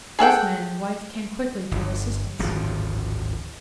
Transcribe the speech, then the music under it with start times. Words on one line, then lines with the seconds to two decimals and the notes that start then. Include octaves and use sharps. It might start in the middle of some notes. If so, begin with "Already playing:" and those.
Both man and wife came quickly to her assistance.
0.19 G#4 A4 F#5 G5
1.71 G1
2.39 D1 G#1 F#2 F3